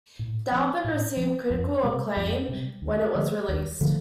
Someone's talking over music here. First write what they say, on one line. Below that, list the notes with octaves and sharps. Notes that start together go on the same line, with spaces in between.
The album received critical acclaim when it was released.
A2
F3 C4
A2
F3
C4
F2
C3 G3
F2
C3 G3
D#2
D3 F3 A3
D#2
D3 F3 A3